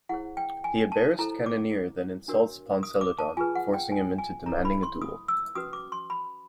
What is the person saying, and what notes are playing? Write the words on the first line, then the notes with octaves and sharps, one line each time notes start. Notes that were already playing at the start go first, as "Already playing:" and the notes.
The embarrassed cannoneer then insults Ponceludon, forcing him into demanding a duel.
E4 G#4 C5 F#5
G5
G#5
A5
E4 A4 C5 A#5
D6
D4 F#4 A#4 C#5
D#6
D6
A5
F4 G#4 B4 G#5
F#5
G5
G#5
G#5
E4 A4 C#5 A#5
B5
C6
D#6
E6
C#4 F#4 B4 D#6
D6
C6
B5